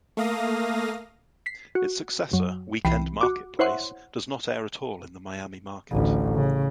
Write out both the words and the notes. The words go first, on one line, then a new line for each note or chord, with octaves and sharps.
Its successor, "Weekend Marketplace", does not air at all in the Miami market.
A3 A#3 F5 D#6 A#6
B6 C7
F#4
F#2 F#3
C2 E3 G5 B5 C7
F#4 D6
E4 C5 C#5 E5 F#5 C6
A1 D2
C#3